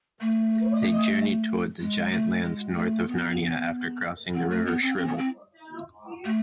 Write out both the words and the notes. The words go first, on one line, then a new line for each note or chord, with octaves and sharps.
They journey toward the giant-lands north of Narnia after crossing the River Shribble.
A3
G#3
A3
G#3
A3
B3
C4
A3
B3
C4
C4
B3
C4
A3